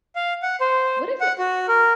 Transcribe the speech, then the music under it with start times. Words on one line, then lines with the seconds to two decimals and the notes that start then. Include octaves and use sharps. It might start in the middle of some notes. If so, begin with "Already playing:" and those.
What is it
0.16 F5
0.42 F#5
0.61 C5
1.21 F#5
1.39 F#4
1.68 A#4